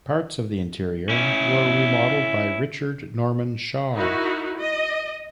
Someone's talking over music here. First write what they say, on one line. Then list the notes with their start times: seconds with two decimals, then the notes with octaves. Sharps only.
Parts of the interior were remodelled by Richard Norman Shaw.
1.09 C#4 E4
3.94 D#4 E4 F#4 A#4
4.58 D#5